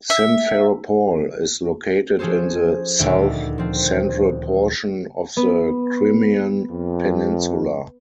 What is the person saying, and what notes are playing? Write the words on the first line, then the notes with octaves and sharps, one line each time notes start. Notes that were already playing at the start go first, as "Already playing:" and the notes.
Simferopol is located in the south-central portion of the Crimean Peninsula.
E5
F3 C#4 G#4 A4 C5
D#1 D2 E5 D7
F3 C4
B3
F2